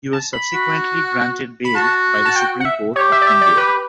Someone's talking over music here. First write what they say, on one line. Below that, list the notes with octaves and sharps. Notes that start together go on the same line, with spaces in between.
He was subsequently granted bail by the Supreme Court of India.
A5
B5
F#4
B5
F#4 A5
A5
G5
F#5
E5
G4 C#5
E5
D5
E5
D5
B4